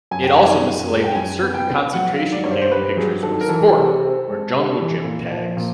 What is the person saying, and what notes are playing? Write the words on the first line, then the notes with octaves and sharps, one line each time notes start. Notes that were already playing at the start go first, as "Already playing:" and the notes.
It also mislabeled certain concentration camp pictures with "sport" or "jungle gym" tags.
F#2 G#5
G5
D#3 G#5
F#2
G#3
G5
F#2 G#5
B3
G5
B3
F#3 F#5
F5
D#3
D5
G2 C#5
C5
C5
G2 B4
F#3 G#4
D#3 A4
A#4
E3 A4
C3
C4
G#3
C3
E3
A#2
F3
A#2